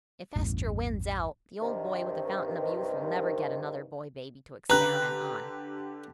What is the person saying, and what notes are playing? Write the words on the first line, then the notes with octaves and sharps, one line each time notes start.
"If Estra wins out, the old boy with the fountain of youth will never get another boy baby to experiment on!"
A1 E2 G2
G2 C3 D#3
D3 G4 B4 A#5 F#6